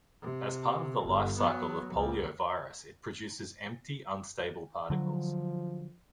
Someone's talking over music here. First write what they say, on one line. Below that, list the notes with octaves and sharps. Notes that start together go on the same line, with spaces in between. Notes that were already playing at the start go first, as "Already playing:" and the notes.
As part of the lifecycle of poliovirus it produces empty unstable particles.
C3
G1
F#3 B3
C#2
D3 F3 F#3